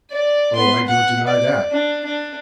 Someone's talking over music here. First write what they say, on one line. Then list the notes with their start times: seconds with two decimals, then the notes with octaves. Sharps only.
"Oh, I don't deny that."
0.10 D5
0.55 B3 C6
0.87 F#5
1.27 D5
1.71 D4
2.05 D4